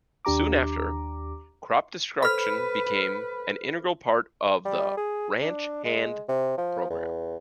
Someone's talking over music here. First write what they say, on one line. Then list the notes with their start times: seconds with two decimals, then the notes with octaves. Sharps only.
Soon after, crop destruction became an integral part of the "Ranch Hand" program.
0.25 D#2 D4 G4 A#5 D6
2.23 A4 B4 C5 B5 F6
4.65 G3
4.97 G#4
5.42 D4
5.85 G#3
6.28 C3
6.58 F3
6.90 E2